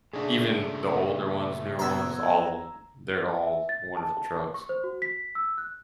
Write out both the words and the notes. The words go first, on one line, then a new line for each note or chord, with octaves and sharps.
Even the older ones, newer ones, all of 'em, they're all wonderful trucks.
A#2 C#3 A3 D4 G#4
B3 C5 A#5 E6 G#6
E5
A6
A5
C#6
C5
F#4
B6
E6
F#6